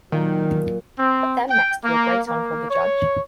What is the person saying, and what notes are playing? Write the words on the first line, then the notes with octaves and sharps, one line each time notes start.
Put them next to your great-uncle the judge.
A#2 D#3 F#3
C4
G5
A#3
A#3
C#5